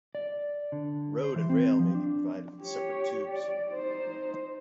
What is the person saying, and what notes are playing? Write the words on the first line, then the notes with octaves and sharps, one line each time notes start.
Road and rail may be provided with separate tubes.
D5
D3
C5
E3
C4
F3
D4
G4 C#5
D5
D#4 C5